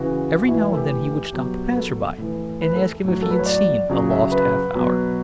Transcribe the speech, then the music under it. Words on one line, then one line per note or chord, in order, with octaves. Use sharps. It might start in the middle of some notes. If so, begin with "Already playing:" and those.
Every now and then he would stop a passer-by and ask him if he had seen a lost half-hour.
Already playing: C#3 E3 F#4
F#4
A2 E3 E4
E4
A4
G4
B2 F#3
B4
A4
A2 E3
B4
A4
A2 F#3
A4
B4
C#5
D5
C#3 F#3
E5
B4
B2 F#3